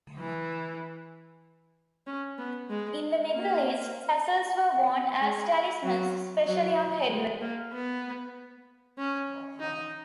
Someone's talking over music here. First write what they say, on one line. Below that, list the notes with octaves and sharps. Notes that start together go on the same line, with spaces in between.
In the Middle East, tassels were worn as talismans, especially on headwear.
E3
C#4
B3
G#3
A#3
G#3
F#3
F#3
G#3
A#3
B3
C#4
D#4